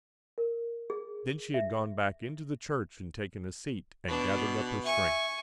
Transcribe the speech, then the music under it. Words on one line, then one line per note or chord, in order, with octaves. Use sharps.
Then she had gone back into the church and taken a seat, and gathered up her strength.
A#4
G#4
E5
B2 D4
E5 G#5 C#6